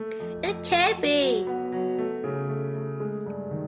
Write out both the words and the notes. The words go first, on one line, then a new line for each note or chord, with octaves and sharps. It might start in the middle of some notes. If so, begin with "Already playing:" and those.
It can't be.
Already playing: A3
F2
F2
F2
F#3
F#3
B3
F#3
A3
C#3
A3
A3
G#3
G2
D#3